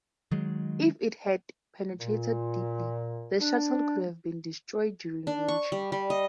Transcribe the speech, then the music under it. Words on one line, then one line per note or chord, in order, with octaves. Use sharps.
If it had penetrated deeply the Shuttle could have been destroyed during reentry.
D#3 F#3 G#3
A#2
D4
D4
C#6
G3
G3
D#5